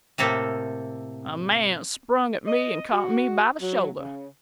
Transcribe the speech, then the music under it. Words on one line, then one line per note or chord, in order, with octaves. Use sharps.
A man sprang at me and caught me by the shoulder.
A2 C3 A#3 A4
D#5
F#4
F#3
C#3